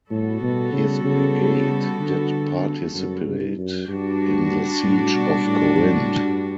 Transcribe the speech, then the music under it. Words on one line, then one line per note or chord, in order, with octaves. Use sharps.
His brigade did participate in the siege of Corinth.
A2 G3 B3 F#4 A4
B2
C#3
C#3
D3
F#2
G2
F#2
G2 G3 D4 F#4
A2
B2
A2
A2
G2